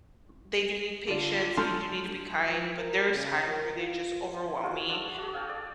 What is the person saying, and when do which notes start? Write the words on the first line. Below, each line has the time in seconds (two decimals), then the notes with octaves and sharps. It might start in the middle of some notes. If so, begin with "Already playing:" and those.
they do need patience, and you do need to be kind, but there's times where they just overwhelm me,
1.08 D3 F4 A4 D5
1.57 F#3 G#3 D4 A4 C6 F6 G6
2.48 F3
2.78 A#4
3.13 C#3
3.47 A#4
3.77 F4
4.48 G#5
4.63 F4 F#4 G#4 A4
4.89 D4 E6
5.18 F#4 G#4
5.33 G#4 F5 G5 A5
5.49 A4 D5